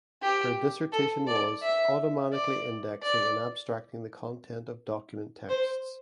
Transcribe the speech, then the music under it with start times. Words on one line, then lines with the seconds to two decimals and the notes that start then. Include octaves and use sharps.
Her dissertation was "Automatically Indexing and Abstracting the Content of Document Texts".
0.22 G4
0.92 A4
1.27 D5
1.62 E5
2.33 D5
3.03 D5
5.49 C5